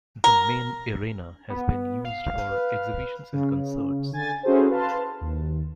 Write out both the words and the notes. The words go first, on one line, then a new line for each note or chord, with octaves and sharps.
The main arena has been used for exhibitions and concerts.
A#4
B3
F5
B4
C#3
D3 G#5 A6
C#4 E4 F#4 G#4 A4 C5
B4 F5 A5 C6
D#2